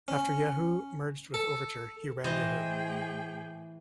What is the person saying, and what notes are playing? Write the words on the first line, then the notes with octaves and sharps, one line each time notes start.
After Yahoo merged with Overture, he ran Yahoo!
C#4
A4
A2 E3 G#4 C5 D#5 G5